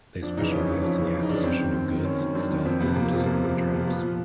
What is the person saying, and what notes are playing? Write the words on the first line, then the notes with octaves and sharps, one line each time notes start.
They specialized in the acquisition of goods, stealth, and disarming traps.
F2 D4
C#3 E3 D#4
F2 C#4
C#3 E3
F2 C#4
C#3 E3
F2
D#4
C#3 E3 D4
C#4
F#2 C4
D#3
F#2
D#3
F#2 C#4
D#3
F#2 D4
D#3
F2 C4
C3 F3 B3
F2 A#3
C3 F3
F2 A#3
C3 F3
F2
C3 F3
A#2 B3
F3